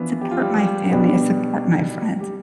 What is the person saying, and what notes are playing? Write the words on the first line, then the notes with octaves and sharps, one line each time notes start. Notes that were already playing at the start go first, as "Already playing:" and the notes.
support my family. I support my friends.
Already playing: E3 F3 B3 D4 F4
G4
F4
G3 G4
G3 G4
B2 G3 B3 D4 G4
G4